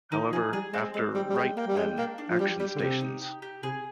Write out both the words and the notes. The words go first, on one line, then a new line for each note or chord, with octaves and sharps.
However, after Right men, action stations!
D#3 D#4
F3 G#4
G3 G#4
G#3 C4
G#3 C4
G3 G5
G3
G#3 G5
A#3 G5
G3
G#3 G5
A#3 D4
D4
F3
G3 G4
G3 G4
D3
C3 G4
D#4
G4
G4
C3 G#4